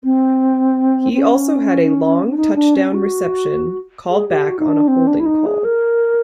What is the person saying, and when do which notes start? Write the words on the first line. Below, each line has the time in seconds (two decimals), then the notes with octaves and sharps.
He also had a long touchdown reception called back on a holding call.
0.04 C4
1.13 C4
1.20 C#4
2.31 D4
2.37 D#4
2.55 D4
2.75 C#4
2.94 F#4
4.10 G#4
4.29 G4
4.49 F#4
4.59 D#4
4.68 D4
4.88 C4
5.07 D4
5.20 E4
5.26 D#4
5.46 G#4
5.64 A#4